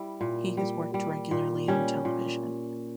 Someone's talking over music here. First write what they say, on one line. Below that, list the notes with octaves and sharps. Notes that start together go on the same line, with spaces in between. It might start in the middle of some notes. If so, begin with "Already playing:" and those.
He has worked regularly on television.
Already playing: G3 E4
A#2
G3
G3
A#2
G3 C#4
A#2